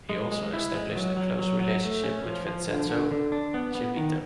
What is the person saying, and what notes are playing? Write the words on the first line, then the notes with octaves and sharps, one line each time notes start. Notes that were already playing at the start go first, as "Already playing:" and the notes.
He also established a close relationship with Vincenzo Gemito.
G#3
G#3
E4
G#3
F#3
F#3
F#3
F#3
A3
C#4
F3
F3
D3
D3
D3
D4
B3
B3
D#3